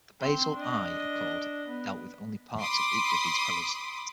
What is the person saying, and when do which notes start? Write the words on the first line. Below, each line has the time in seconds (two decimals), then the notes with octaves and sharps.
The Basel I accord dealt with only parts of each of these pillars.
0.20 C4 C6
0.55 D4 D#5
1.67 B3
2.59 B5 C6 D6 D#6